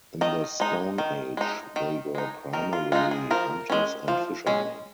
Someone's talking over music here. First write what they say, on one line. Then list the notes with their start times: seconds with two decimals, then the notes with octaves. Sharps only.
In the stone age, they were primarily hunters and fishermen.
0.21 D#3 D#5
0.60 G#3 D#4
0.98 D#3
1.37 G#3 D#4
1.76 D#3
2.15 G#3 D#4
2.53 D#3 A#4
2.73 F4
2.92 G#3 D#4 F4
3.11 G#4
3.31 F3 A#4
3.70 G#3 C#4
4.08 F3
4.47 G#3 C#4